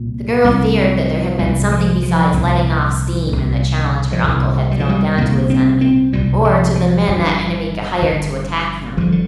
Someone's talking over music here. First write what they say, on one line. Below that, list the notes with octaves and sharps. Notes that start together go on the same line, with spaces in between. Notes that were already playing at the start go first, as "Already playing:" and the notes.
The girl feared that there had been something besides "letting off steam" in the challenge her uncle had thrown down to his enemy, or to the men that enemy could hire to attack him.
Already playing: C2 A#2
C2 A#2
C2 A#2 G3
F3
F3
C2 A#2
C2 A#2
F3
C2 A#2 D3
G3
F3
G3
C2 A#2 A#3
C4
C4
C2 A#2 G3
F3
F3
G1 G2 D3
G1 G2 D3
G1 G2 D3 F3
D3